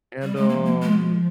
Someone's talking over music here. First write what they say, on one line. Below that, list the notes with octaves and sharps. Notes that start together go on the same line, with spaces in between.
and, um,
G3
G#3
F3 A#3
A#3
F3 G#3